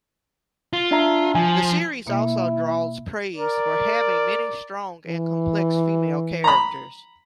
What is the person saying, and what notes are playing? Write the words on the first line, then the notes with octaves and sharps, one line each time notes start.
The series also draws praise for having many strong and complex female characters.
F4
D4 E5 A#5
F3 G#5
B2 A#3 E4
A#4 D5
E3
A#5 B5